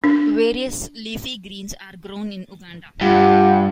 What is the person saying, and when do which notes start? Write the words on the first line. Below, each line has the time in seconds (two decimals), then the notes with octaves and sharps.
Various leafy greens are grown in Uganda.
0.04 D4
3.01 G2 F4 G4 F#5